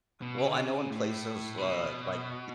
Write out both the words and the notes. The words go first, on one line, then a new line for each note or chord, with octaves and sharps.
Well, I know in places, uh, like d
B2
C#3
D3
C#3
A2
B2